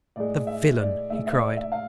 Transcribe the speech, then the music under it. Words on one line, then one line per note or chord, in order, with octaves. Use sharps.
"The villain!" he cried.
A2 G#3 D5
E5
D5
A2 G#3 E5
E5
D5
E5
F5